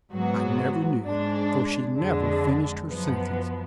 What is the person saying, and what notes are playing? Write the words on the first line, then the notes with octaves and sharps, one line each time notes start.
I never knew, for she never finished her sentence.
G#2 F#3 B3 F#4
G#2 G#3 D4
F2 D3 G#3 D4
F#2 F3 B3